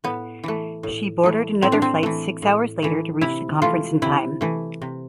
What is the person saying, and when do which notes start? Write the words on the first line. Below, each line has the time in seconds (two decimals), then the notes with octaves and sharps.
She bordered another flight six hours later to reach the conference in time.
0.04 A2 B3
0.44 E3 A3
0.83 A2
1.23 E3 A3
1.62 A2 C4
1.72 D4
1.82 C4
2.03 E3 A3
2.42 A2
2.82 E3 A3
3.21 C3 E4
3.62 E3 A3 F4
4.02 C3 E4
4.41 E3 A3
4.82 C3